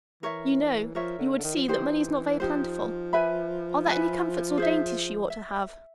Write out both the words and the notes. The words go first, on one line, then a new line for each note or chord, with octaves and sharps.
'You know--you would see, that money is not very plentiful; are there any comforts or dainties she ought to have?'
E3 A#4 C#5 E5
F3 A#4 C#5 E5
D3
D3
D#3
F3
E3 D#4 G4 C5
F3 D#4 G4 C5
B4 E5 G#5 B5
B4 E5 G#5 B5
G#4 C5 E5
E5